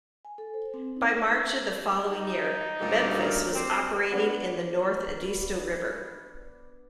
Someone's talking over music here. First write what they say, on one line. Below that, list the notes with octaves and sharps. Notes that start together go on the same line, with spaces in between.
By March of the following year, "Memphis" was operating in the North Edisto River.
G#5
A4
C5
C4
D#4
D#4
D2 A#2 G3
A#4
C4 G4
B3 D4 D5